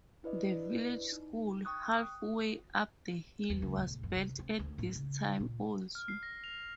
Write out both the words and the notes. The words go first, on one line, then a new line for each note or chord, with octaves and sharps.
The village school, halfway up the hill, was built at this time also.
D4 E4 B4 D5 D#5
D#4
G5 C#6 D#6 F#6
E2
C#2
D#1
F#2
C3
C4
D2
A2
C#3
A#2
F6
C7
A#6
F7